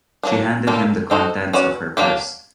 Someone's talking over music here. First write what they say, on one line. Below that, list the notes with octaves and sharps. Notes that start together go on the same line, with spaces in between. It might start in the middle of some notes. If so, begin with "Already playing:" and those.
She handed him the contents of her purse.
F#3 A#3 D4
G3 A#3 D4 F4 A4
C4 D#4 F#4 A4 C5
C#4 F#4 B4 D5
F#3 A#3 D4 G4